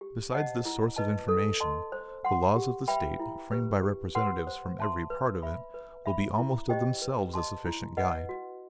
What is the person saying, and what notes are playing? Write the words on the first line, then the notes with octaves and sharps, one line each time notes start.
Besides this source of information, the laws of the State, framed by representatives from every part of it, will be almost of themselves a sufficient guide.
G4
C5 D#5 F#5 A5
E4
B4 D#5 A5
A4
D#5 A5 C6
C5
F#5 C6
G4
B4 E5 G5 B5
E4
G4 B4
G4
B4 F#5 C6
C5
E5 A5 C6
B4
E5 B5
B4
E5 B5
E4
G4 C5 D#5 G5
B4
D#5 A5 C6
E4
B4 D#5 F#5
F#4